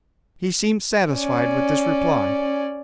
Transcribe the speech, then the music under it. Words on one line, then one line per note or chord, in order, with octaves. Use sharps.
He seemed satisfied with this reply.
C#4 D5